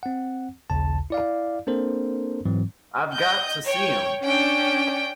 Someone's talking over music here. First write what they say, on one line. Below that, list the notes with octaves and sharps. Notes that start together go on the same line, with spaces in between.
I've got to see him.
C4 F#5
A#1 D#2 C#3 A5
E4 D5 F5
A#3 C4 D4 A4 A#4 C5
G#2 E3 F#3 C4
D#5 G6
C#5 G5
C#4 D4 G5